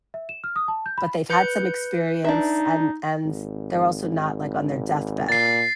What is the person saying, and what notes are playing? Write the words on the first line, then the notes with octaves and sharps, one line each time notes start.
but they've had some experience, and and they're also not, like, on their deathbed.
E5
E7
F6
D#6
A5
G6
B5
B4 G6 C#7
D4 D#4 E5
G#1
A#2 A6 C7